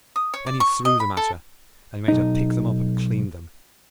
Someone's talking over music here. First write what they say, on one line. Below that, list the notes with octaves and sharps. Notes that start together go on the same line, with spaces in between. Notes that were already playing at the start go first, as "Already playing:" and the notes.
Then he threw them at her, and made her pick them up and clean them.
D#6
C#5
D5
C#6
D#5
B5
A4
B1 D#4